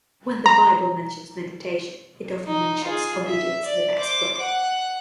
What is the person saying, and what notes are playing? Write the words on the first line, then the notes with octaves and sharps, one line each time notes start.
When the Bible mentions meditation, it often mentions obedience in the next breath.
A#5
D#4
F4 G#4
E5
D5
C5 D6
F#5